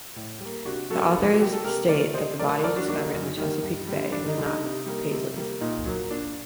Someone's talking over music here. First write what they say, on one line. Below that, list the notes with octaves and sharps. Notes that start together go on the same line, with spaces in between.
The authors state that the body discovered in the Chesapeake Bay was not Paisley's.
A2
G3 A#3
C3 D4 F#4
F#3 A#3 F#4 A4
C3 D#4
F#4
F#3 A#3 G4
A4
C3 G4 A#4
F#3 A3 A#4 D5
C3 C5 D#5
F#3 A3 A#4 D5
F#2 A#4 D5
D4 F#4
D#3 G3 A#3 D4 F#4
D#4
F#2
D#3 G3 A#3
G2
D3 G3
G2 D4
D#4
D3 G3
D#4
C3
G3 A#3
C3
G3 A#3
A#2 D#4
F#3 A#3
A#2 D4